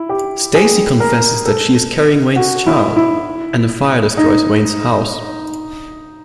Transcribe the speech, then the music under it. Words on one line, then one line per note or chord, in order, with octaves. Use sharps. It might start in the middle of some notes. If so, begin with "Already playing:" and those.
Stacy confesses that she is carrying Wayne's child, and a fire destroys Wayne's house.
Already playing: E4
G4
G#4
A#4
A4
F#4
E4
E4
D#4